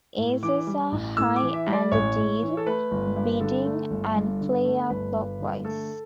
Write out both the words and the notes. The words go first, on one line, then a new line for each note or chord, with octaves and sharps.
Aces are high and the deal, bidding and play are clockwise.
A2
E3 D6
G3
A1
A2 E6
D6
E3
E5
G3
D5
A1 C#5
A2
E3
A4
A3 B4
G1
G2
D3 A4
A3
G1
G2
D3
A3
G1 B4
G2
D3
A3 A4